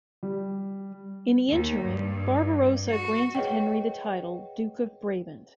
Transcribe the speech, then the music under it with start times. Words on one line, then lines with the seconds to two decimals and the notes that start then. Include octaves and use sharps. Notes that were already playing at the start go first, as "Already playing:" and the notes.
In the interim, Barbarossa granted Henry the title "Duke of Brabant".
0.23 G3
1.49 D#2
1.86 G2
2.90 F#4
3.35 G#4 B4 C#5 D#5 F#5 G5